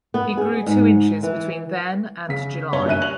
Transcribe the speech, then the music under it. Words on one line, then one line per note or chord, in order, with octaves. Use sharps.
He grew two inches between then and July.
B3
G#4
G#2
E3
C#3 B6
G2 C#5 G7
F#1 C#4 E5 F#6 D#7
F7 F#7